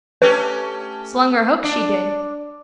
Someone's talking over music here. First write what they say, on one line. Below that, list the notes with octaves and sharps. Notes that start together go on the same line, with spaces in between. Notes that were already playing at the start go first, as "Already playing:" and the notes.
Slung her hook, she did.
A3 C#4 G4 B4
D4